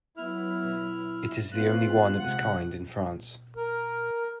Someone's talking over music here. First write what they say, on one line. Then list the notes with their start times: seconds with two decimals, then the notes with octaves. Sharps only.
It is the only one of its kind in France.
0.17 F#3 B3 E4 F6
1.52 B3 C4 F4 F#6
2.19 C3 F3 G#3 F#5
3.57 A#4